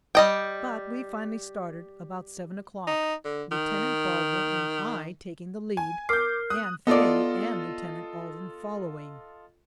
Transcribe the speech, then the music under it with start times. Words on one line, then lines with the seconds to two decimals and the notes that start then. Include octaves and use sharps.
But we finally started, about seven o'clock, Lieutenant Baldwin and I taking the lead, and Faye and Lieutenant Alden following.
0.15 G3 D#5 G5
2.87 D#4
3.25 D3
3.52 D#3
5.77 G#5
6.09 A#4 D6 F6 G6 C7
6.50 D#6 F#6
6.87 B3 F4 A4 D5 D#5